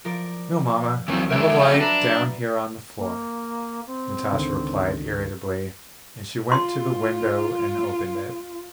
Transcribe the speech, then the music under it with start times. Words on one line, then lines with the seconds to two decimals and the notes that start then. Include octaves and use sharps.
"No, Mamma, I will lie down here on the floor," Natasha replied irritably and she went to the window and opened it.
0.05 F3 A#4 D5
1.08 D#2 E3 F#3 B3 C4
1.31 E3 G#3 A#4 D5 E5
1.59 A3 C#4 E5 F#5 G5
1.81 D4 B4 A#5 A6
2.98 A#3
3.87 C4
4.32 C#2 D3 D#3
6.52 F4 C6